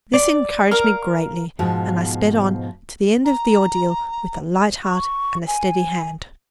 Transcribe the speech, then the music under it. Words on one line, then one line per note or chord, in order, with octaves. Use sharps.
This encouraged me greatly, and I sped on to the end of the ordeal with a light heart and a steady hand.
D5
A#4 F5 A#5
G#2 B2 F3 G#3
A#5
C#6
G#5